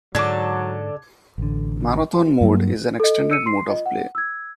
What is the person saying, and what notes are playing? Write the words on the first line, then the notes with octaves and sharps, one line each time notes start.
Marathon Mode is an extended mode of play.
G#2 D3 F#3 A4 D6 G#6
A1 D3
G2 F#3 G#3 A#3
A4 D#5
E6 C#7 D#7
C6 C7
F4 D#5
F#5
E6 G#6